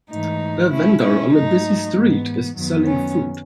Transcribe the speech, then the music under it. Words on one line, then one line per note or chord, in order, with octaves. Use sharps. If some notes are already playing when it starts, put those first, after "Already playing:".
A vendor on a busy street is selling food.
G#2 E3 A3 D#4
B2 A3 C#4 E4
C#4 E4
G#2 F#3 A3 D#4
G#2 E3 B3
F#2 D#3 F#3 B3
C#4